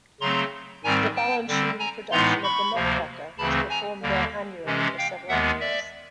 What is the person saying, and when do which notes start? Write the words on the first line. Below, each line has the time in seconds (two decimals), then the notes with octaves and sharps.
The Balanchine production of "The Nutcracker" was performed there annually for several years.
0.21 C#3 F#3 A3 C4 A#5 C6
0.84 G#2 D#3 G3 C4 G#5 A#5
1.16 G5 A5
1.48 D3 G3 C4
1.79 G#5 A#5
2.11 A2 E3 G#3 B3 D#4 A#5 C6
2.43 B5 C#6
2.75 D2 C3 F3 A#3
3.38 D2 C#3 E3 A3 C4 A5 B5
3.70 G#5 A#5
4.02 D#2 D3 G3 A#3
4.65 C3 E3 G#3 C#4
4.97 F5 G5
5.28 D#2 D#3 G#3 B3 E5 F#5
5.60 D5 E5